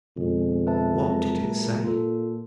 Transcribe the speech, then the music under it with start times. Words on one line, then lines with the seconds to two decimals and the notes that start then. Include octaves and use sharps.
What did it say?
0.17 F2 B2 D3 G#3
0.67 B4 E5 A5
1.01 F#3 G#3 A#4
1.39 A#2
1.84 F4 A4